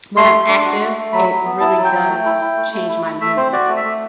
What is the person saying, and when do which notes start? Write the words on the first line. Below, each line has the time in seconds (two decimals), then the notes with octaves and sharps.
when I'm active, it really does change my mood,
0.17 A3 C6
0.33 A3
0.49 D4
0.65 F#4
0.80 A3
0.97 A3
1.13 F#3 B5
1.29 F#3
1.45 B3
1.60 E4 A5
1.77 F#3
1.85 G5
1.92 F#3
2.09 A3
2.25 E4
2.41 E4
2.57 A3
2.73 A3
2.89 E4
3.04 A3
3.20 A3 E5
3.37 C4 C5
3.53 F#4 D5
3.69 A3
3.77 E5
3.84 A3